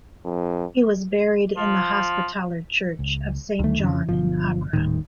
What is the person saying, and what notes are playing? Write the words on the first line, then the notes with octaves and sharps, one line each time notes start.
He was buried in the Hospitaller church of Saint John in Acre.
F2
F3
C#2
D2 D#3 A3
F2 C#3
G1 B2 D3 F3
D#1 A2 D#3 G3